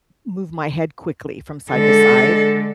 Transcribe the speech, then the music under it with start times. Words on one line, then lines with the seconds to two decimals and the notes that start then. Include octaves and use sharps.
move my head quickly from side-to-side,
1.72 D3 G#3 A4